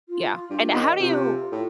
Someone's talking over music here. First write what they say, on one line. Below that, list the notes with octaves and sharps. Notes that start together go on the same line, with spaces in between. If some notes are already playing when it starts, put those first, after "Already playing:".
Yeah, and how do you
F4
G2
D#2 D#5
C3 F4
A2